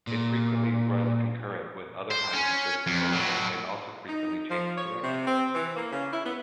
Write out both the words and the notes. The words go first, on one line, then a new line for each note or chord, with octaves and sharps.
It frequently runs concurrent with other highways listed below and also frequently changes direction.
A#2
C5
C#4
F2
A2 F#3
D#4
F3
C#5
C3
C4
E3
A#3
C#3
E4
B3